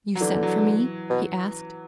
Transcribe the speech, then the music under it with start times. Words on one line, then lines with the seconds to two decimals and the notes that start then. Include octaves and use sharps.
"You sent for me?" he asked.
0.15 F#3
0.20 D3 E3
0.43 F#3
1.09 B2